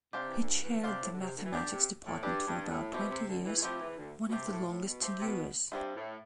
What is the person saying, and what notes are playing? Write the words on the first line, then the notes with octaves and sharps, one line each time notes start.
He chaired the mathematics department for about twenty years, one of the longest tenures.
C3 D4 G4 C5 F5
E3
D2 D3
E2 E3
D3
C3 D4 G4 C5 F5
A2
D3
C3
D2 D3
E3
D2 D3 D4 G4 D5
C3
A2
G2 D4 G4 D5
G2
A2
B2 A3 C4 E4 G4
C3
D2 D3
E2 E3
E3
F2 F3 A3 C4 E4 G4
E2 E3
D2 D3
B2
C3 A3 C4 G4 C5
G2
A2
A2
B2
A3 C4 G4 C5
C3
B2
G2 G3 C4 F4 C5 E5
A2